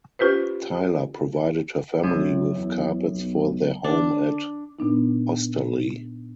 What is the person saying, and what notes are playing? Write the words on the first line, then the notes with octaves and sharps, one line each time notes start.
Tyler provided her family with carpets for their home at Osterley.
C#4 F4 G4 B4 C5
C2 F#2
E2
B1
D3 D4
A#2 B3 D4 D#4